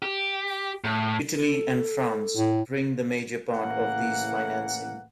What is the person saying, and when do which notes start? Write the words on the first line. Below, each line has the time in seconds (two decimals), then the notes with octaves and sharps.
Italy and France bring the major part of these financing.
0.02 G4
0.84 A2
1.36 A4
2.37 A2
3.52 A2 C#3 E3 A#3 F#5